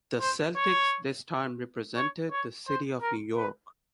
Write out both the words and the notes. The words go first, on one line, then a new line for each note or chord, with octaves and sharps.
The Celtics this time represented the city of New York.
C5
C#5
C#5
C#5
C5
A#4
B4